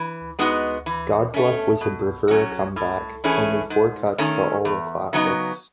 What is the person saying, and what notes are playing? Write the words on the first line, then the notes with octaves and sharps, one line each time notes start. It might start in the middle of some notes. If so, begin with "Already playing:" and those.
"Godbluff" was a bravura comeback - only four cuts, but all were classics.
Already playing: E3
G#3 B3 D#4 F#4
E3
A3 C#4
B2
F#3 C#4 F#4
A2
E3 A3 C#4 G#4
G#2
D#3 A3 C#4
E2
C#3 F#3 B3 D#4